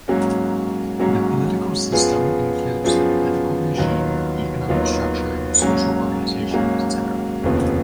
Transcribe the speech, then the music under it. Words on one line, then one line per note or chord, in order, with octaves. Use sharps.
The political system includes the political regime, the economic structure, the social organization, etc.
G#2 F#3 A#3 C#4 F#4
G#2 F#3 A#3 C#4 F#4
F#2 F3 B3 F4 G#4
F#2 F3 B3 F4 G#4
D#2 D#3 F#3 B3 F4
D#2 D#3 F#3 B3 F4
G#2 F#3 A#3 C#4
G#2 F#3 A#3 C#4
F1 D#2 C#3 F3 B3